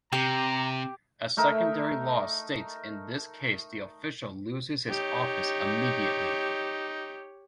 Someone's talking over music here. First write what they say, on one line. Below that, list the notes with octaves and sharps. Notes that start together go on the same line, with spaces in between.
A secondary law states in this case the official loses his office immediately.
C3 G4 A#5
A3 D#4 A#4 E5
D#4 G4 C#5